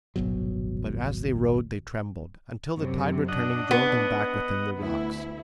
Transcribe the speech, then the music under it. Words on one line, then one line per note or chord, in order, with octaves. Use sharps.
But as they rowed they trembled, until the tide returning drove them back within the rocks.
D#1 G#1 B2 F#3
F#2 C3
D4 D#5 F#5
B3
D2 E4